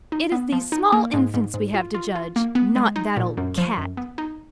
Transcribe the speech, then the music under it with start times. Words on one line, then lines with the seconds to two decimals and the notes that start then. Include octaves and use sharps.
It is these small infants we have to judge; not that old cat.
0.12 D#4
0.32 B3
0.52 F3
0.72 D#4
0.92 A#3
1.14 G#2
1.34 G#2
1.54 G#2
1.74 F4
1.94 F4
2.15 F4
2.36 A#3
2.55 B3
2.76 G#3
2.96 D#4
3.17 A#2
3.37 F#2
3.58 F3
3.77 F#2
3.97 B3
4.18 D#4